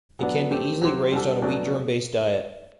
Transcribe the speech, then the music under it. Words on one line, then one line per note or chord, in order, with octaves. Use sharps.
It can be easily raised on a wheat-germ-based diet.
F#3 B3 D4 F#4
A3 C4 G4
F#3 C4 G4 C5
G3 D4 F#4 A4
B2 F#3 A3 D4